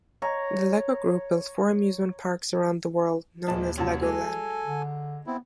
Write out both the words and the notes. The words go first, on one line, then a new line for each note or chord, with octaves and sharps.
The Lego Group built four amusement parks around the world, known as Legoland.
C#5 A#5
A#1 D#2 E3 F3 G#3 A5
C2 F#2 C#5 A5
F#3 G#3 A4 G#5
D3
B3 C4 E4